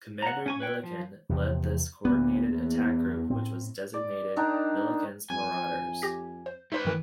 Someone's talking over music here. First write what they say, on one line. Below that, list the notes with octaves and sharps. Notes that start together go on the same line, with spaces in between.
Commander Millican led this coordinated attack group, which was designated Millican's Marauders.
F#5 A#5
C#4 G#5 C#6
B4 C#5 G5
F3
E2 C3 F3
D2 A#3 B3
E2
A2 C4
D5
D#3 D4 D#4
F2 G#5
G4 A#6
C5
A3 D#4 B4 C5
G2 D#3 E3